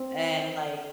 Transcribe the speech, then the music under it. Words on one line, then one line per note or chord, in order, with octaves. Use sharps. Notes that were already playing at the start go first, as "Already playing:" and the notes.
and, like
Already playing: C4